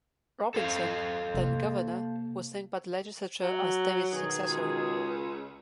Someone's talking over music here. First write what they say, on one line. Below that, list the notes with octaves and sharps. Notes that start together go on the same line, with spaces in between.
Robinson, then governor, was named by the legislature as Davis' successor.
A4 C5 F5
C3 A#3
F#3
B2 D#3 G#4
C#2